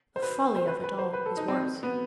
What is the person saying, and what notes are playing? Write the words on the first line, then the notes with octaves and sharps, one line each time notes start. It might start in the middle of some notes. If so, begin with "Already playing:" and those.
The folly of it all was worse.
C5
B4
C5
B4
B4
C5
B4
A4
D#4
C4
B3